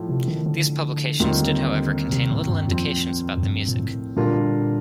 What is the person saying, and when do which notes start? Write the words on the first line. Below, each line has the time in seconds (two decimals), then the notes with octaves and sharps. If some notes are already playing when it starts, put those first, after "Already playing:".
These publications did however contain little indications about the music.
Already playing: A2 F3 A3
0.09 C3
0.28 D#3
0.46 D3
1.20 D#2 D3 D#3 G3 C4 F4
2.08 A#2
2.13 C3
2.32 A2
2.49 G2
2.68 F2 A#2 F3 C4
3.37 F2
3.43 G2
3.68 A#2
3.79 A2
4.17 A#2 D3 G3 D4 F4 A#4